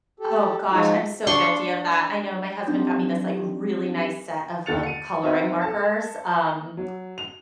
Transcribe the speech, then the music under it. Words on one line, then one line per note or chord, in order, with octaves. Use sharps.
Oh gosh, I'm so guilty of that, I know. My husband got me this, like, really nice set of, like, coloring markers, um,
G4 A4
F3 G#3 D#4 F4 F#4
D4 C6 C#6
F#3 A3 C4 D4 D#4 G4
D#2 D3 F4 A6 C#7 F7
C#7 D#7
C4 D#4 F#4 B4 D#5 E5
A4 A5
F#3
F7